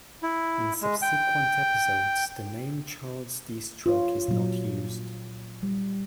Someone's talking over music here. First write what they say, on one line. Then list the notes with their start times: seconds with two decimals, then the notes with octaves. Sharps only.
In subsequent episodes, the name Charles D. Stroke is not used.
0.23 E4
0.82 G#3
1.02 G5
3.86 F4 C#5
4.28 A#2 F#3
5.63 G3